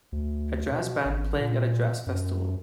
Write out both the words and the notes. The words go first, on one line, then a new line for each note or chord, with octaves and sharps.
A jazz band playing at a jazz festival.
D2
B2
G#1
A#2
F#2